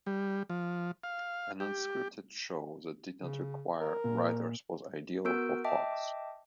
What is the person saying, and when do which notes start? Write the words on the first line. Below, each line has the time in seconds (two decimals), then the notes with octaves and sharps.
An unscripted show that did not require writers was ideal for Fox.
0.06 G3
0.50 F3
1.04 F5
1.60 G4
3.22 C#3
3.81 A#4
4.04 A#2
5.25 B3 F#4 A#4 E6 G6 D7
5.64 D#5 E5 G5 A5 D6